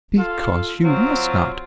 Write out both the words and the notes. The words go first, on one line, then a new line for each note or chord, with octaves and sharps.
'Because you must not.
F4 A4 F5
F#3 C4 F4